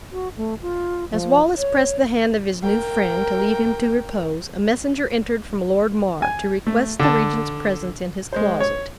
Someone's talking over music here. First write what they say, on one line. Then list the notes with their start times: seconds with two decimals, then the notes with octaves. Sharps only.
As Wallace pressed the hand of his new friend, to leave him to repose, a messenger entered from Lord Mar, to request the regent's presence in his closet.
0.12 F#4
0.37 A3
0.62 F4
1.12 F3
1.58 C#5
2.63 A#4 G5
6.22 G#5
6.67 A3
7.00 D3 A5
8.33 G#3 C5
8.60 C#5